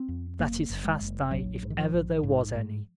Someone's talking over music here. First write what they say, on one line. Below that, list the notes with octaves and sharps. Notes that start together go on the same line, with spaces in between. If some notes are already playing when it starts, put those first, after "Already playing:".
That is fast dye if ever there was any.
Already playing: C4
F2
F#1 A#3
F#1
G#3
F#1
A#1 F#3
G#2
D#3
F3
A#1
G#2
G#2